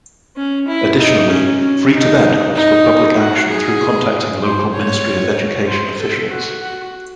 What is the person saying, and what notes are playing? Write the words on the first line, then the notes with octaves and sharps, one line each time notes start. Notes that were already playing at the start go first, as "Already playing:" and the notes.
Additionally, Free Tibet calls for public action through contacting local Ministry of Education officials.
C#4
E4
D#4
C#4
C#4
D#4
D#4
F#4
G#4
C5
C#5
C5
A4
F#4
F#4